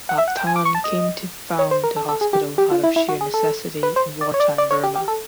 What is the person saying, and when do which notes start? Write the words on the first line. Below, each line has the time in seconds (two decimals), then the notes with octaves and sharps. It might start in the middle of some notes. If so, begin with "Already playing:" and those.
Ba Than came to found the hospital out of sheer necessity in wartime Burma.
0.09 F#5
0.18 E5
0.28 F#5
0.37 G5
0.47 G#5
0.56 D6
0.65 C#6
0.75 A5
0.84 D#5
1.59 C#5
1.71 C5
1.84 A#4
1.96 A4
2.09 A4
2.21 G#4
2.33 G4
2.58 G4
2.71 F4
2.84 E4
2.96 E4
3.09 F#4
3.21 G#4
3.34 A4
3.83 B4
3.96 C5
4.21 D5
4.34 C#5
4.40 D5
4.58 D5
4.71 C#5
4.84 G4
4.95 G4
5.08 A4